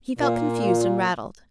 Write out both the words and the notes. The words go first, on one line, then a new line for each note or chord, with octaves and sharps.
He felt confused and rattled.
A#2